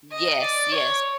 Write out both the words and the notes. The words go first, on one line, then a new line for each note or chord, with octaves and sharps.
Yes, yes.
D#5
D5
C#5